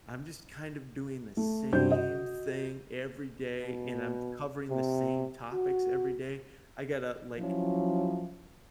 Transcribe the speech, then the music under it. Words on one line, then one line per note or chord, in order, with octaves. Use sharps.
I'm just kind of doing the same thing every day, and I'm covering the same topics every day. I gotta, like,
A3
G2 C3 G3 F#4 C5 G6
F#4 D#5
B2
C3
F#4
F3 F#3 C#4 E4